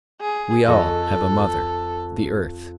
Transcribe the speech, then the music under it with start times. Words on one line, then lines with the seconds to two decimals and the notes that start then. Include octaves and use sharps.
We all have a mother,--the earth.
0.21 G#4
0.66 F2 A4 D#5 C#6